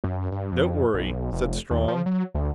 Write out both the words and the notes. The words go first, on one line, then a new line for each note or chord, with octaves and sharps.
"Don't worry," said Strong.
F#2
G2
F2
B1
F1
D#2
F3
F#3
D2